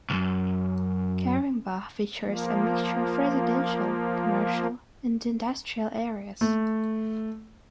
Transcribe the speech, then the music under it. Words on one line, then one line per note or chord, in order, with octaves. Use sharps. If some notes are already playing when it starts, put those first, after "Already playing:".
Caringbah features a mixture of residential, commercial and industrial areas.
B1 F#2
F3 A#3
A3